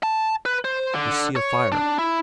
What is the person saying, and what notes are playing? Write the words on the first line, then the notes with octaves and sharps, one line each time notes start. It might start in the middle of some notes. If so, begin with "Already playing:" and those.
We see a fire.
A5
B4
C5
D3
C#5
D4
E4